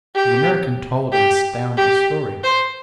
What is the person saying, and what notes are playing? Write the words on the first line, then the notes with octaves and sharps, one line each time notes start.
The American told an astounding story.
G4
G4
G4
C5